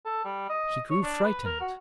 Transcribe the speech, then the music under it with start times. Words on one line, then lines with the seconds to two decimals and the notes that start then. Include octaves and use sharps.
He grew frightened.
0.05 A4
0.24 G3
0.49 D#5
0.90 C#5
1.03 D4
1.23 B4
1.45 A#4
1.60 F#4